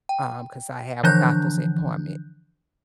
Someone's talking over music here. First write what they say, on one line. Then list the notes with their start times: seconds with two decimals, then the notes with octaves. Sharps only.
um, 'cause I have a doctor's appointment."
0.09 G5
1.03 D3 E3 F3 D4 F#6 G6